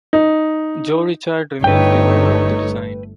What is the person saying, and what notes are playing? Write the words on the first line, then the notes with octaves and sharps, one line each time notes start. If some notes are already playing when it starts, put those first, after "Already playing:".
Jo Richard remains the owner of the design.
D#4
G1 A3 D#4 B4 C#5 G5